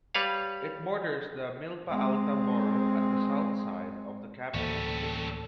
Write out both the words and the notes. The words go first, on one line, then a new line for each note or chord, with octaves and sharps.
It borders the Milpa Alta borough at the south side of the capital city.
G3 B4 C#5 F5
G#3 C4
D2 A2 E3 G3 A#3 C#4 A4 C#6